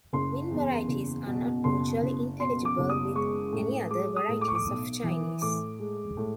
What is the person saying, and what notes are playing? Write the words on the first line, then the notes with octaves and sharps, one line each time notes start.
Min varieties are not mutually intelligible with any other varieties of Chinese.
F#1 C6
E2
F#1
B2
F#1 C6
F#1
B2 C6
D6
F#1
D#6
G#3 C#6
A2
G#3 D6
D#6
A2
D6
C#6
D6
B1
E3
A2 D6
G#3
A2